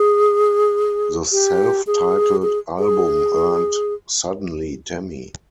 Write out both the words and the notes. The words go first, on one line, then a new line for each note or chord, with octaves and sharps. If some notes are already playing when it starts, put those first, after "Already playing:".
The self-titled album earned Suddenly, Tammy!
Already playing: G#4
G4
G#4
G#4
G#4